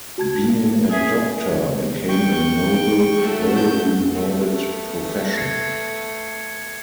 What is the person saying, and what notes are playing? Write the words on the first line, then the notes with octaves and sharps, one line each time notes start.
Being a doctor became a noble, well-rewarded profession.
F#4 A5 G#6
G#4 E5
G5 C#6
F#3 A3 F#4
G6
A3 B3
G#6 C7 C#7